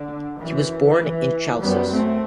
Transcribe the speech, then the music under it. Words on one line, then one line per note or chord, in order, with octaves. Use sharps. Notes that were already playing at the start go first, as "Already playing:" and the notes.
He was born in Chalcis.
Already playing: D3
F#2 E3
E3
F#2 G3 B3
A3 C4